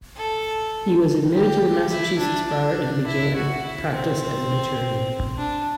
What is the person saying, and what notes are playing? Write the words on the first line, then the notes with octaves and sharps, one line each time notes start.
He was admitted to the Massachusetts Bar and began practice as an attorney.
A4
G4
E4
D4
D4
E4
F#4
E4
C4
D4